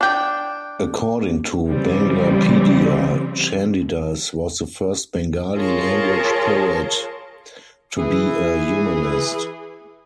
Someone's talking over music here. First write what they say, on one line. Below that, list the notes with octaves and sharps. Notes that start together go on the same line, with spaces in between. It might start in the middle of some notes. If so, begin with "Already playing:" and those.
According to Banglapedia, Chandidas was the first Bengali-language poet to be a humanist.
D4 G5
C#3 E3 G3 C4
F4 G#4 A#4 C#5 A5 C6
E3 G#4